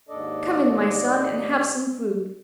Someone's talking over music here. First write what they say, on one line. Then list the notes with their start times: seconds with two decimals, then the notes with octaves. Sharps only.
'Come in, my son, and have some food.
0.09 D#2 G#2 D4 A4 D5 D#5